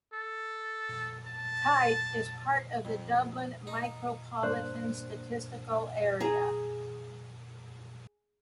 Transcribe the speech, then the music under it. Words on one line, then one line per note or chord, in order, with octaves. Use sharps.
Kite is part of the Dublin Micropolitan Statistical Area.
A4
A5
F2
D#4
G2 A#3 D4 C5 F#6
G#4 A#5